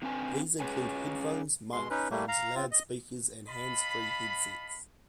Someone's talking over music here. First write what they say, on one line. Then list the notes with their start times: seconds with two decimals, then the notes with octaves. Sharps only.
These include headphones, microphones, loudspeakers, and handsfree headsets.
0.02 D3 C4 B4 G#5
0.60 C#4 G#4 B4 C#5 G#5
1.72 B2 G#3 C6
1.90 C#4 D#4 B4
2.11 G3 A3 A#3
2.28 F5 A#5
2.55 C4 F4
2.71 D#5
3.47 D#5 F5 A5 B5